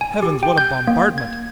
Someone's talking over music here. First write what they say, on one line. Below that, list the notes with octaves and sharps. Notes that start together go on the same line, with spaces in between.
Heavens, what a bombardment!
G#5
G4
G5
G6
A#3
G#6